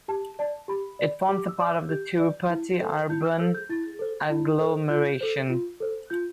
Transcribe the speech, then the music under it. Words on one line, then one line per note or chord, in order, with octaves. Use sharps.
It forms a part of Tirupati urban agglomeration.
G4 A5
D5 A5
G4 B5
D5
G4 D6
E6
D5 D6
E6
G4 G6
D5
E4
A4 C5
E4 G6
F6
A4 C5 E6
G6
E4 A6
A4 C5
E4
A4 C5
F4 G6
A4 C5
F4
A4 C5
F4 G6